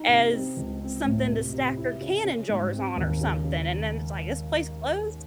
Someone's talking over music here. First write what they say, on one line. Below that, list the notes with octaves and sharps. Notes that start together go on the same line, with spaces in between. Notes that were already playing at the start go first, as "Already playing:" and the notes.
as something to stack her canning jars on or something, and then it's like, "This place closed?"
Already playing: D#4
C3
C4
C#2
C4
A2
C3
C3
E4
C#3
C#4
G#2
C4
D#2
C#3
C#3